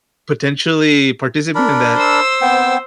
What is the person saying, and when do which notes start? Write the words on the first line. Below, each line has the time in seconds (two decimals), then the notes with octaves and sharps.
potentially participate in that
1.55 D4 A#4 B5
1.96 C5 E6
2.42 B3 C4 G5